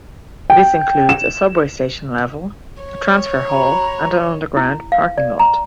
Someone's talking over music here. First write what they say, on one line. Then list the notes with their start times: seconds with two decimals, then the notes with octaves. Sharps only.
This includes a subway station level, a transfer hall and an underground parking lot.
0.50 G5
1.09 E7
2.83 C#5
3.49 F#4 A#5 B5
4.57 E4
4.92 F5
5.18 D5
5.39 A#5